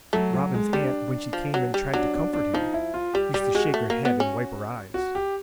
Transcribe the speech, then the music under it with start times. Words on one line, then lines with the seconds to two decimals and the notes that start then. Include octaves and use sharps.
Robin's aunt when she came and tried to comfort him used to shake her head and wipe her eyes.
0.13 F#3 A3
0.33 F#3
0.54 G#3
0.73 G3 D4
1.33 F3
1.54 F#3
1.74 G3
1.94 F#3 D4
2.14 D4
2.33 D4
2.54 F3 D#4
2.73 E4
2.94 F4
3.14 G3 G4
3.34 G3 G4
3.55 G#3 F#4
3.74 A3
3.90 A#3
4.05 B3
4.20 C#4
4.94 F#4
5.15 G4